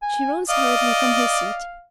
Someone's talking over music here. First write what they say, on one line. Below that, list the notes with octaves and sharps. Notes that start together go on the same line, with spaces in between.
She rose hurriedly from her seat.
G#5
D5 D#5 F5